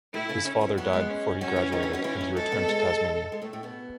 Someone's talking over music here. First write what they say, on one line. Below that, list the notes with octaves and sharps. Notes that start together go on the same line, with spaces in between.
His father died before he graduated and he returned to Tasmania.
A2 A3 E4
C#3 C#4
C#4
E3 E4
F#3 B3 F#4
G#3 G#4
C#4
F#3 C#4 F#4
E3 E4
D#3 D#4
E3 E4
F#3 F#4
E3 C#4 E4
F#3
G#3 A4
B2 B3
G#3
G#3
A2 A3
A2 A3
B2 B3